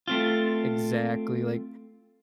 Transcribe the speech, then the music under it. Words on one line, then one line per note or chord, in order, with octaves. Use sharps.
exactly, like,
A3 C4 F4